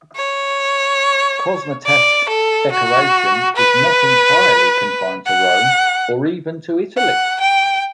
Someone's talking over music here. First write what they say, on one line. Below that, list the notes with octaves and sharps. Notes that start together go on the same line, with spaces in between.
Cosmatesque decoration is not entirely confined to Rome, or even to Italy.
C#5
D5
A4
F#4
B4
F#5
F#5
G5